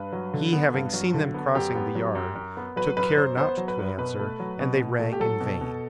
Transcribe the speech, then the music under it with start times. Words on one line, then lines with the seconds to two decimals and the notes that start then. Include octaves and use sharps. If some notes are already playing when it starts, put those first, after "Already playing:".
He, having seen them crossing the yard, took care not to answer, and they rang in vain.
Already playing: G2 B4
0.13 F#3
0.33 D3
0.53 B3
0.74 G2
0.93 F#3
1.14 D3
1.34 B3
1.55 F#2 G4
1.75 B3
1.95 F#3
2.15 F#2
2.35 F#2
2.57 B3
2.76 F#3 B4
2.97 F#2 B4
3.17 F#2 C5
3.37 B3 C5
3.57 F#3
3.68 B4
3.78 F#2
3.98 B2 B4
4.19 A3
4.40 F#3
4.60 B2
4.80 B2
4.99 A3
5.13 G4
5.20 F#3 A4
5.40 B2
5.61 B2